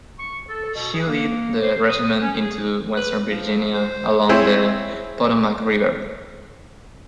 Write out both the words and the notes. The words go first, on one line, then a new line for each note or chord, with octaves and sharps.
He led the regiment into Western Virginia, along the Potomac River.
C#6
A4
B2
G#4
A#3
C5
D#6
C#4
G#4
B4
F3
C5
C4 E4 G#4 C5 C#5 G#5